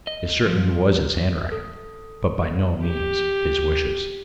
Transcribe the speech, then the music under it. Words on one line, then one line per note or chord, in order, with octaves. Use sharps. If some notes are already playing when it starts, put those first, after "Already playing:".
It certainly was his handwriting, but by no means his wishes.
D#5
F3
A4
G4